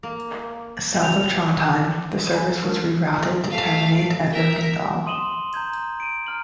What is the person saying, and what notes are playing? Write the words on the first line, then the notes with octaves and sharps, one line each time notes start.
South of Trondheim, the service was rerouted to terminate at Lerkendal.
A#3
C#2 F#3 G5 F7
F3
A4 G#5 A#5 B5
D#3 G#3 D4 D#4 A#4 A5
A3 F5
A#4 E5
C6 D#6 D#7 E7 F#7 G7
A#5 G6 G#6
D7 D#7
A#5 F6 F#7